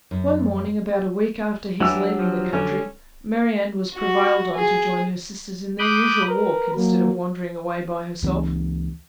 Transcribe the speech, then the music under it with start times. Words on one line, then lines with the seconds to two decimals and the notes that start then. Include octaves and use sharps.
One morning, about a week after his leaving the country, Marianne was prevailed on to join her sisters in their usual walk, instead of wandering away by herself.
0.11 F#2
1.80 E3 F#3 D4 G4 E6
2.18 F3
2.53 D3 C#4 D4
3.94 F#4
4.55 G#4
5.79 B5 D6 D#6 F#6 G6
6.28 A#4 B4
6.75 F#3 A#3
8.22 C#2 E3